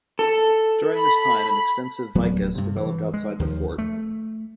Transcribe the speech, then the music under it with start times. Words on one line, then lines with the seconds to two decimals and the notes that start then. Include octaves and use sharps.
During this time, an extensive vicus developed outside the fort.
0.19 A4
0.96 B5
2.15 D1 F#3 A3 B3
2.55 G2 C3
2.76 E3
3.14 G#3
3.39 D#2 D#3 F3
3.78 A3